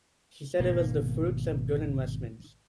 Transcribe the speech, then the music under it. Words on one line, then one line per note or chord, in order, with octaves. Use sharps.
He said it was the fruits of good investments.
G#1 B2 A#3